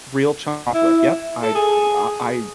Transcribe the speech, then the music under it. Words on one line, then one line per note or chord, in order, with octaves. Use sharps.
real chocolate. Yep. I I I
E4
A4
G#4